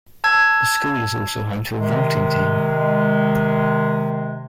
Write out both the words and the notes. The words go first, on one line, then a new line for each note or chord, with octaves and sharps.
The school is also home to a vaulting team.
A5 E6 G#6
C3 D#3 G#3